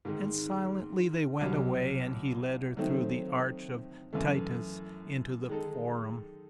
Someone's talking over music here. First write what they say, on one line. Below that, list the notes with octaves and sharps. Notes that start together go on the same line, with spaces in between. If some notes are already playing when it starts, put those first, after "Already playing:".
And silently they went away and he led her through the Arch of Titus into the Forum.
G#2 D#3 G#3 D#4
C2 C3 F#3
D#3 F#3 A3 C4 D#4
F#2 E3 A3
D#3 G#3 D#4 A4